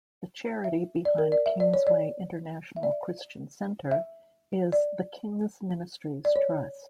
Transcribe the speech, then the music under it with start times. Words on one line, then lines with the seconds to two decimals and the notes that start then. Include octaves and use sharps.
The charity behind Kingsway International Christian Centre is "The King's Ministries Trust".
0.64 E5
1.05 D5
1.18 A#4
1.32 D5
1.46 E5
1.60 D5
1.74 C#5
1.87 D5
2.76 E5
2.83 D5
2.92 E5
3.91 E5
4.72 D5
6.25 D5
6.36 C#5